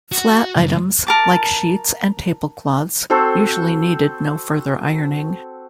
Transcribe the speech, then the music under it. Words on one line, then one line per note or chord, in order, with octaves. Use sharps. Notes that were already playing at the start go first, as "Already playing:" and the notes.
Flat items, like sheets and tablecloths, usually needed no further ironing.
F#4
C#2 F#2
A#4 A5 D6
C4 F#4 A4 C5